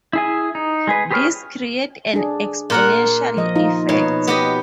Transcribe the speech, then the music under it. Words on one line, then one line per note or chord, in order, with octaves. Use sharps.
This creates an exponential effect.
E4 G#4 G#5
D#4
G#3 G#4 B4
G4 G#4 B4 C#5 F6
D4 G#4
A#2 A#4 F#5
F3 D#5
D#4 F4
B2 D#4 C#5
B3 G4 D#5